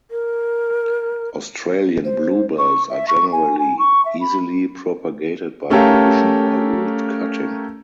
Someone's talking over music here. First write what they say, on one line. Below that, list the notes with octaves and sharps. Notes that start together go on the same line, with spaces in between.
Australian bluebells are generally easily propagated by division or root cutting.
A#4
C5
C#6
E5
C#6
G#5
G#5
C#6
E5
B5
A3 C#4 G4 A4 A#4 F5